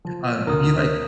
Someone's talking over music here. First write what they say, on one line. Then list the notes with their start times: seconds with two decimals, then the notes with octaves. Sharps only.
um, have you like
0.05 F3
0.47 D2 A#4 D#6